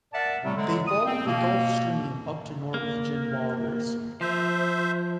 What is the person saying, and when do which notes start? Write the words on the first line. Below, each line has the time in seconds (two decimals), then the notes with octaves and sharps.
They follow the gulf stream up to Norwegian waters.
0.13 A#4 D5 E5 F#5 A5
0.43 A2 C3 G3 A3 C4
0.56 D3 F#3 G#3
0.86 D#6
1.05 C4
1.26 B2 A#3
2.74 A#3
4.21 F3 C5 E5